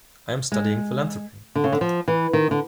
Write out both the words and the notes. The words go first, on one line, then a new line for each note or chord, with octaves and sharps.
I am studying philanthropy.
G#3
D3
C#3
D3
F3
E3
D#3
D3